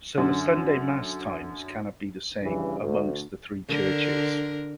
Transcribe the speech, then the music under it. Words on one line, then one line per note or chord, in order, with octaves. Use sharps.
So the Sunday Mass times cannot be the same amongst the three churches.
F#2 D3
G2 C#3 E3
D2
D3 A#4